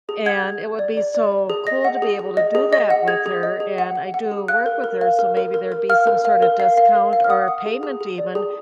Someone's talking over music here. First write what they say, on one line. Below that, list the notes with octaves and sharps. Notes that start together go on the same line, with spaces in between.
and it would be so cool to be able to do that with her, and I do work with her, so maybe there'd be some sorta discount or payment even
G#4
F#5 G#6
G#4
G#4
D5
D5
D5
D5
G#4
D#5 A#6
F#5
G#4
G#4
D#5
G#4
D#5
F#5
G#4 G#6
G#4
D#5
G#4
F#5
F#5
F#5
G#4
F5 F#6
A#4
A#4
F5
A#4
A#4
A#4
A#4
F5 F6
A#4
F5
A#4
F5
F5
A#4
F5
F6
F#5 D#6
F#5
G#4
G#4
G#4
D5
G#4